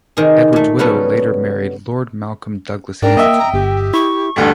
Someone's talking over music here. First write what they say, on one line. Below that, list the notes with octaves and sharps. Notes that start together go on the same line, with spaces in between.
Edward's widow later married Lord Malcolm Douglas-Hamilton.
C3 D#3 G#4
A#2 A3
C#3 F#3 G3 B3 F#4 A4
G#2 D4 A#4 G5
A#3 D#5 E5
A#5
G1 G4
E4 C#6
A1 D2 G2 A4